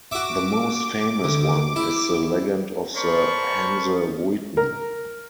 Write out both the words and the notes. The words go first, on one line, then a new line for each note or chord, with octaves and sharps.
The most famous one is the legend of the "Hamse Wuiten".
F#4 E5 D6
D2
E4
A#4 C5 D5 A5 B5 C#6
A#4